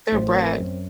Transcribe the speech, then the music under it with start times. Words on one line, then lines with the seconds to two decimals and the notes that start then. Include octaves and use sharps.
They're a brat.
0.12 A1 C5
0.27 A#4
0.35 C4
0.42 A#4
0.58 F#2